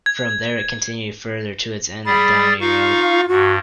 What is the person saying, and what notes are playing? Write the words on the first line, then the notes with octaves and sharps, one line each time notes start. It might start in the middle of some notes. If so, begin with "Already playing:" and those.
From there, it continued further to its end at Downey Road.
G#6
G3 G#4 B5 A6
D#4 F4 F5 C#6
G2 F#4